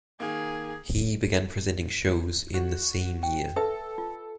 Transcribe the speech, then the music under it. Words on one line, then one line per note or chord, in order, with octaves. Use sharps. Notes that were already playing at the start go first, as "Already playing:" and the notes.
He began presenting shows in the same year.
D#3 A#3 G#4
F#4
G5
A4 B4 E5 D#6
F4